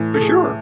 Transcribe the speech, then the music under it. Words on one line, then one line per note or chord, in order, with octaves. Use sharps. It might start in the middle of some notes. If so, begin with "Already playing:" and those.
For sure!
Already playing: A2 E3
A4
G#4